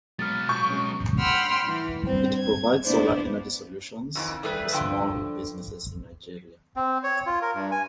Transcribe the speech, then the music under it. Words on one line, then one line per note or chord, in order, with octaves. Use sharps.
It provides solar energy solutions for small businesses in Nigeria.
F#3 G#3 B3 F6 A6
C#6 G6
G#3 C#4
F#5 G5 B5 C6 E6 F6
E3
G2 C4
G#6
B3 D4 E4 C5
F2 D#3 E3
G3 A3 G#4 B4
G2 D3 F3 G5
C4
C#5
F4
A#4
G2
G#5